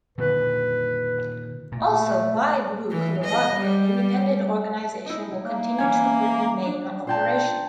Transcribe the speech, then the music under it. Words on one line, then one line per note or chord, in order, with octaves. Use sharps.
Also, BuyBlue Colorado, an independent organization, will continue to remain operational.
A#2 D3 D#3 B4
A#2 A3
E3
D#5
G3
D#4 E4
A#3
E3 C#4 G#5
D4
A#2 C5 G5 A5